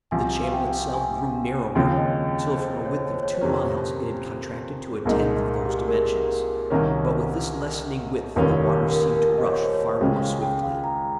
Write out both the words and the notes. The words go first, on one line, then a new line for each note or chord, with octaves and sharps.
The channel itself grew narrower, till from a width of two miles it had contracted to a tenth of those dimensions; but with this lessening width the waters seemed to rush far more swiftly.
C2 C3 F3 G#5
F5
G5
G#5
D#2 C#3 F3 C4 G5
D#5
C5
C#5
C5
C#5
C5
F2 C3 G3 A#3 C#4
G#4
C2 A#2 G#3 D#4 A#4
G4
G#4
A#4
C2 C3 D#3 A#3 C#4
F1 D#2 D#3 G3 C#4 A#4
G4
A#4
A#4
D#5
C#5
C5
C#5
C#2 C#3 G#3 C#4 G5
F5
G5
F5
A#5